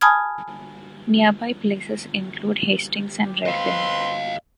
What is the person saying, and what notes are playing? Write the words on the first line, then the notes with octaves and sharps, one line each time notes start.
Nearby places include Hastings and Red Wing.
G#5 A5 B5 D#6 F6 G#6
C4 B4 D#5 F5 C6